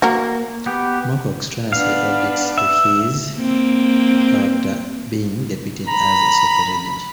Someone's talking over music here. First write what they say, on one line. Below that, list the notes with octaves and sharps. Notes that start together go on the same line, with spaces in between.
Moorcock strenuouly objects to his character being depicted as a 'secret agent'.
A#3 F#4 A#4
B3 G4
B3 D4 F5
E5
A#3 C4
A#5 B5